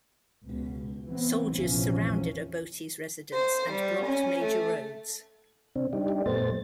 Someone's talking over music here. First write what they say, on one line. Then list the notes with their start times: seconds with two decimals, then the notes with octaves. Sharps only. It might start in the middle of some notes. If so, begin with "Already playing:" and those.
Soldiers surrounded Obote's residence and blocked major roads.
0.46 C#2 B2
1.07 E3 B3 C4
1.56 A#1 E2 C3 E3 F3 C#4
3.33 C5
3.71 G3
4.06 C#4
4.43 A3
5.75 C3 C4 D4
5.93 G3 D4 D#4 G4
6.26 F#2 A#2 A3 B3 C5 A6